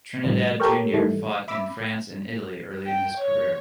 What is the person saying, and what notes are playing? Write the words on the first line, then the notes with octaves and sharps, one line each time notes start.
Trinidad Junior fought in France and Italy early in his career.
A2 C3 D#3 F3 G3
G4 A4 A#4 C#5
G#2 D#3 E3 G3 A3
E5 B5 D6 E6
G5
C#5